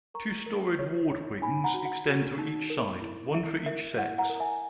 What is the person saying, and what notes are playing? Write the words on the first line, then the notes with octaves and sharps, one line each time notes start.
Two storeyed ward wings extend to each side, one for each sex.
A#4 A#5 C#6
A#4
C#5
C#5
D#4 G#5 B5
F#5 A#5
F#4
F#5
F#4
D#4
A#4
E4
E4 E5
A#4 E5
E4 F#5
F#5 A#5
A#4
E5 G#5